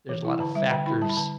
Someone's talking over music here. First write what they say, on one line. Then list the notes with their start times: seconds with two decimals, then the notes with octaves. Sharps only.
there's a lotta factors
0.09 E3
0.25 E4
0.40 D3 A5
0.55 G3 E5
0.70 D3 G5
0.86 E4 B5
1.01 G3 A5
1.09 B5
1.17 D3 A5